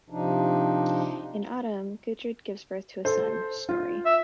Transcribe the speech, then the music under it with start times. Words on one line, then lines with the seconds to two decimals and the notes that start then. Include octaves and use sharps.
In autumn, Gudrid gives birth to a son, Snorri.
0.10 C3 F3 D4 D#4
3.05 A4 C5
3.69 F4
4.06 E5